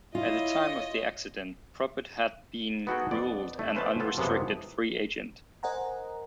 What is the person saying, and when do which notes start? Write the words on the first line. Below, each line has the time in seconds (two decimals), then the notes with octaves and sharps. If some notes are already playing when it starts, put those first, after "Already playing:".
At the time of the accident, Probert had been ruled an unrestricted free agent.
0.15 E4 F4 C#5 D#5
2.87 B3 D#4 F#4 G#4 A4 G5
3.11 F2 B3 D5
3.59 A3
3.75 A3 C#4 B4 C5 F5 A5
3.99 B3 F4 A4
4.17 F#2 C3 F3 G#3 A#3 B3
5.63 A#4 C5 D#5 F#5 G#5 A#5